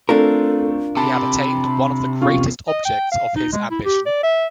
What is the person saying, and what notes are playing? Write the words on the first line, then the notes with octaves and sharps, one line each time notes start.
He had attained one of the greatest objects of his ambition.
A3 C4 D4 F4 A4 A#4
C3 A5 B5
E1 C#3 F4 C#6
D#5
G5
F5
D#4
G#3
E4
G4
D5
E5